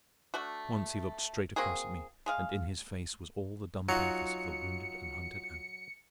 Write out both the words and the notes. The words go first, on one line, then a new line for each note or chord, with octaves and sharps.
Once he looked straight across at me, and in his face was all the dumb pathos of the wounded and hunted animal.
A3 D4 F#4
A#3 C4 F#4 G#4
G#3 G#4 F5
F#3 D#4 F4 F#4 C#7